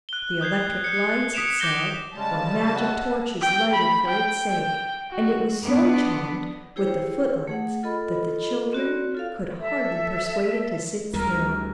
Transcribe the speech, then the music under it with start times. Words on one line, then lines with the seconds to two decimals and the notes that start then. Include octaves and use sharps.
The electric lights, it said, were magic torches lighted for its sake, and it was so charmed with the footlights that the children could hardly persuade it to sit still.
0.09 F#6 G7
0.41 D#6 G6 G#6 C7
0.84 F#6 G6 C#7
1.34 D#6 B6 C#7 D7 E7 F7
1.60 D6 G6 A#6 G7
2.15 C#3 G3 G#3 A5
2.76 E5 F#5
3.42 G5
3.73 B5
4.07 G5
4.49 G5
5.11 F#4
5.66 B3 D4
6.76 E4 G4 G#4 C5 C#5 G5
7.47 A3 G#4 F#5
7.83 F4 A4 D#5 B5
8.73 C4 F#4 C#5 D5
9.15 F4 A4 F5
9.60 A4 E5
11.14 D2 G3 G#3 A#4